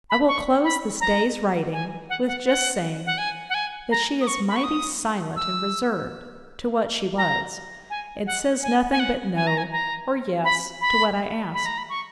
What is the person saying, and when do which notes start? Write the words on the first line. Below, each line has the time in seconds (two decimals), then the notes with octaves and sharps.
I will close this day's writing, with just saying, that she is mighty silent and reserved, to what she was: and says nothing but No, or Yes, to what I ask.
0.10 B5
0.28 C#6
0.64 B5
1.00 A#5
1.73 G#5
2.10 F#5
2.28 F#5
2.45 F#5
3.06 F#5
3.18 G#5
3.49 F#5
3.54 G#5
3.91 A#5
4.21 D#6
4.27 C#6
4.49 B5
4.56 C#6
4.64 D#6
5.36 E6
7.17 A#5
7.90 G#5
8.27 F#5
8.63 G#5
8.92 G#5
8.99 F#5
9.36 G#5
9.47 A#5
9.58 G#5
9.72 A#5
10.44 B5
10.81 B5
11.54 B5
11.66 A#5
11.78 B5
11.89 C#6